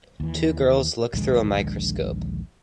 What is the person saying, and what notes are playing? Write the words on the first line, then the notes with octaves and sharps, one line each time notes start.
Two girls look through a microscope.
D#2 E3
A#1 D#2 D3 G#3